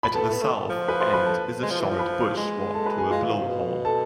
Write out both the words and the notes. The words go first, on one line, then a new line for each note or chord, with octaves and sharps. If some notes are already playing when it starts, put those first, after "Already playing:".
At the south end is a short bush walk to a blowhole.
B5
B3 A4 A5
A3
B3
A3
F3
B4 B5
C5 C6
B4 B5
A4 A5
G#3
F3
E3
F3
B4 B5
G#3
A4 A5
B4 B5
G#4 G#5
G#3 F4 F5
E3
C3
B2
A4 A5